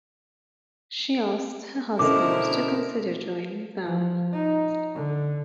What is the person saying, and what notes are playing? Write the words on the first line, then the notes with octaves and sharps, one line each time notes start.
She asks her husband to consider joining them.
B2 D3 C#4 E4 A#4 C5 D#5 D6
F3
D#4
D3